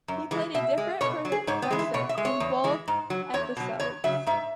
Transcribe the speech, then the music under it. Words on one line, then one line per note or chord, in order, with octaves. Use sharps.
He played a different professor in both episodes.
F#2
E3 G#3
B2 E5
G#3
B2 C#5
F#3
G#4
G#2 C#5
B3
E3 G#3
E4
B2 C#5
E5
G#3
C#5
E2
E3 G#3
G#2
F#3
E2 C#5
B2 F#3
E2 C#5
C#3 F#3 E5
G#2 E5